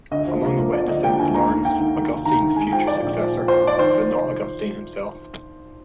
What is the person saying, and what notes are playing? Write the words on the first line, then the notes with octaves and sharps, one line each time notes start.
Among the witnesses is Laurence, Augustine's future successor, but not Augustine himself.
D2 D#5
F3
A#3
A#3
F3 D5
D3 D#5
A#3 G5
D2 G#5
A#3 A#5
D#2
D#2 G5
D#3
D#2
D#2
D#3 A#5
D#3
G#3 G#5
F3 G5
F3 D5
A#1
F3
A#2
F3 C5
F3 D5
D#3 C5